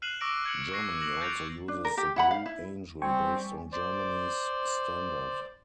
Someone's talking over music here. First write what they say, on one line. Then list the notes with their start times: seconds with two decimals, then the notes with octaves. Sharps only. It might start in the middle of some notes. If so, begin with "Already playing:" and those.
Germany also uses the Blue Angel, based on Germany's standard.
0.02 F6 F#6 C7 D#7 E7 F#7
0.21 C#6 D6 E6 A#6 D7
0.45 F#6 G#6 A#6 C#7 F#7
0.72 C#6 F#6 A#6 C7
1.01 A#6 E7 F#7
1.20 F#6 G6 A6 A#6 D7 F7
1.68 D4
1.85 A#4
1.97 G4
2.16 E4 F#5 B5
2.31 F5
2.46 E4
3.02 G3 C4 G5 G#5 C#6
3.72 C5 D5